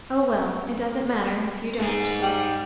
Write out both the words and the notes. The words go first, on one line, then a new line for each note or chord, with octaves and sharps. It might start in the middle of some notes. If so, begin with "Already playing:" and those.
"Oh, well--it doesn't matter--if you don't."
G#2 G#4
G3